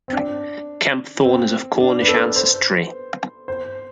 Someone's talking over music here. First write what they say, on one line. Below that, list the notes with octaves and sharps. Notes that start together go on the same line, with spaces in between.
Kempthorne is of Cornish ancestry.
C4
D4
C4
D4
B4
A4
C5
C5